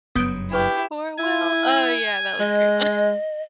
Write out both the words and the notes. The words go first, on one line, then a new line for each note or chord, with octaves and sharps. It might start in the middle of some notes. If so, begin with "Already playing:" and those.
for well. Oh, yeah, that was a great one.
F#1 G2 F#3 B3 D#6 G6 D7
D4 E4 G4 B4 C#6
E4 G#5
G#3 D#5